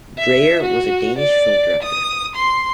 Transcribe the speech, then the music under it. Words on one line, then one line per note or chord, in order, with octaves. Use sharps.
Dreyer, was a Danish film director.
E5
F#4
D5
D#6
C6